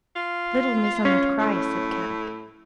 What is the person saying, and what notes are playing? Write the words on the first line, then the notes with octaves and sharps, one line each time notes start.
"Little Missa not cry," said Kadok.
F4
C#4
A2